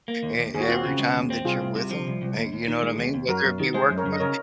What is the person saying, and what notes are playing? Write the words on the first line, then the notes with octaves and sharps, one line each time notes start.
e every time that you're with 'em, hey, you know what I mean? Whether it be working with
A#3
D#2
D#2
D#2 G#4
F#4
C4 F4
F#4
C#3
G#3
D#2
C4
C2 F4 G#4
C2
C3
F3
C2
C2
D#2
D#2
D#3
G#3
D#2
D#2
F#2 F#4 A#4
F#2
D#3
G#3 G#4 C5
F#2
A#4 C#5
F#2
D#5
C#3 A#4 C#5